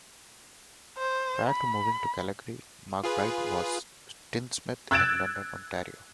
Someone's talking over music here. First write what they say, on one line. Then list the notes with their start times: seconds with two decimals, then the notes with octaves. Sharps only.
Prior to moving to Calgary, McBride was a tinsmith in London, Ontario.
0.98 C5
1.50 B5
3.04 F4 G#4 B4
4.91 E6 F#6 G#6 A6 D7 E7